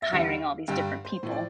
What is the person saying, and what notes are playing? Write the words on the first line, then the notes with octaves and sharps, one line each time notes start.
hiring all these different people.
E5
E2 D3 G3 F5
G2 D3 G3 G5
C5
A2 F3 C5
D5